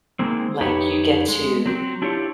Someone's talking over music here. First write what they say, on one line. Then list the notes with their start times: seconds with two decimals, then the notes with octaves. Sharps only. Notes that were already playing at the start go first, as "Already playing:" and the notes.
Like, you get to
0.19 D#3 G#3 A#3 C4
0.61 F2 D#4 G4 B4 C#5
1.28 G#3
1.66 F#3 C4
2.02 D4 E4 F4 G4 C#5